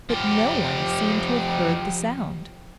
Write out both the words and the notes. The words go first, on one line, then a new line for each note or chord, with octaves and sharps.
But no one seemed to have heard the sound.
F3 G4